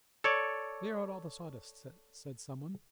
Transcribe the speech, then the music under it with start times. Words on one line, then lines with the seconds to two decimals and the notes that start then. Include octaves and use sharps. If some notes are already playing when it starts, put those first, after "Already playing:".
"Clear out all the sawdust," said some one.
0.24 A4 C#5 D5